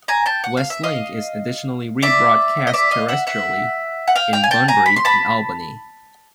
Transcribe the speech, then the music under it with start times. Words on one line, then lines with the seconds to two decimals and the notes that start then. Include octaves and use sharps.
Westlink is additionally rebroadcast terrestrially in Bunbury and Albany.
0.08 G#5 A#5
0.26 G5 A5
0.44 F#5
0.57 F5
0.70 E5
0.83 D#5 F5
2.02 D5 E5
2.67 D#5
2.74 D5 E5
2.91 D#5 F5
3.08 E5 F#5
3.27 E5 F#5
4.08 F#5
4.16 F5 G5
4.33 F5 G5
4.44 G#5
4.51 G5 A5
4.68 G#5 A#5
4.86 B5
4.96 C6
5.05 A5 B5